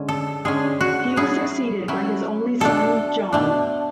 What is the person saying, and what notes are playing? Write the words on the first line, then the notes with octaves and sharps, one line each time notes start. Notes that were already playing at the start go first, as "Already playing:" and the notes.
He was succeeded by his only son, John.
Already playing: D3 G#3 C#4
A4
D3 G#3 C#4 G#4
F#4
F#3 C#4 E4 G#4
F#3 C#4 E4
B2 A3 D4 A4
B2 A3 D4